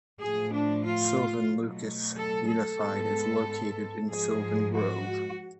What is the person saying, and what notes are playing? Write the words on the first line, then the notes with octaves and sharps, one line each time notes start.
Sylvan-Lucas Unified is located in Sylvan Grove.
A2 F3 A3 G#4
D4
F4
B2 F#3 A3
A4
A4
G#2 G#3 B3
G#2 F3 G#3 G#4
F#4